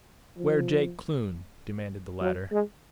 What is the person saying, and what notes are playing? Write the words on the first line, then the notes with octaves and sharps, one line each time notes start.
"Where Jake Kloon?" demanded the latter.
F3
F#3
G#3